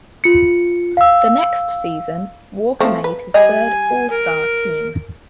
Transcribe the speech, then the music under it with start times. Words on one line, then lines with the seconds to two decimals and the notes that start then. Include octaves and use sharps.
The next season, Walker made his third All-Star team.
0.24 F4 C#7
0.97 F5 E6
2.80 F3 A3 C4
3.04 B4
3.34 G3 G4 D#5 G#5
4.10 A#4